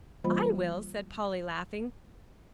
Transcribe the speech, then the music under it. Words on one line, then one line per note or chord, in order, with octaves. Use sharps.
"I will," said Polly, laughing.
E3 G3 A#3 F4 C5 B5